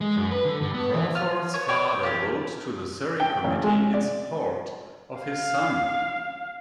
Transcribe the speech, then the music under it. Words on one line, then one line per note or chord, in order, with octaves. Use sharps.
Crawford's father wrote to the Surrey committee in support of his son.
G#3
F#2
B4
D3
G2
B3
E3
F4 F6
B3 C#5
C#5 D5 G5
F4 G4 C#5
G5
A1
G#3
D5
F5